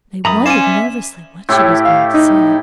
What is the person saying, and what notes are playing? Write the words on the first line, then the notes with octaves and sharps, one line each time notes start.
They wondered nervously what she was going to say.
F#2 A#5 B5 D#6
C#4 C5 D5 F5 G#5 E7
E5
A2 E4 G4
F5
D#4